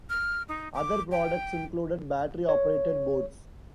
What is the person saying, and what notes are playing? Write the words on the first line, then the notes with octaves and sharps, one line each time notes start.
Other products included battery-operated boats.
F6
D#4
D6
G5
C#5